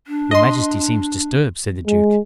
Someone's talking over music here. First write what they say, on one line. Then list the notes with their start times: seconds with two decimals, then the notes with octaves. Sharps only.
"Your majesty seems disturbed," said the duke.
0.07 D4
0.31 D#5 C6
1.87 G#3